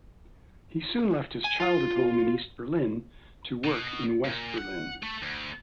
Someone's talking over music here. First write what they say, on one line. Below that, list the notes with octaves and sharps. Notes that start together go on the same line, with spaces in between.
He soon left his childhood home in East Berlin to work in West Berlin.
G#5
F4
B2
A#2
F#5
A3
D2